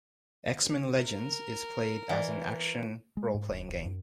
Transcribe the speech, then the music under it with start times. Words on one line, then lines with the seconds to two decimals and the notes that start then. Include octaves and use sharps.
"X-Men Legends" is played as an action role-playing game.
0.98 A#4
2.09 E3 D5 D#5 F#5
3.17 G#3
3.34 G#2
3.48 D1
3.68 D1
3.86 F#2